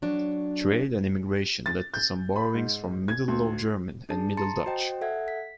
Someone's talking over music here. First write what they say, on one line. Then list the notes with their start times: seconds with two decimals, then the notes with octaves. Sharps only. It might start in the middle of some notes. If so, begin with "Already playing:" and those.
Trade and immigration led to some borrowings from Middle Low German and Middle Dutch.
0.02 F#3 D4 C#5
1.66 A6
1.94 G6
2.36 B5
2.54 G#2
3.08 G#6
3.28 D2
4.09 D4 G#4 A5
4.37 A5 A#5 C6 A6 C#7
4.66 F#4 C5 D#5 G5
5.01 A4 E5 F#5 G#6
5.28 B6